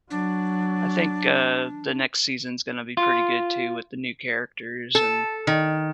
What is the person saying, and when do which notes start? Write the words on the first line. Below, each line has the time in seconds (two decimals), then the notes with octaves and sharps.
I think, uh, the next season's gonna be pretty good too, with the new characters and
0.11 F#3 D4
2.97 F4
4.95 A4
5.47 D#3